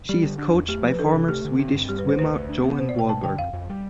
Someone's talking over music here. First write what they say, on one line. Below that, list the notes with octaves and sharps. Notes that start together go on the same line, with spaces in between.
She is coached by former Swedish swimmer Johan Wallberg.
G3 G4
D3
D4
E2
A3 G4
F3 B4
D4 A4
C3
A3 G4
D3
C4
G2
G3 G4
B4
D3
C5
D2 B4
D2
D4
B3
B2 C5
D5
B2 G5
A3 A5
D3 G5
F2 F5
F2
G3